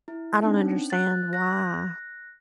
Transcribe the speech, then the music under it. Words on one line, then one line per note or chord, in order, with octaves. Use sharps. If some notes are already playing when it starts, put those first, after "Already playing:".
I don't understand why
E4
C4 D4 D#4
C#4
F#6 A6
F#6 A#6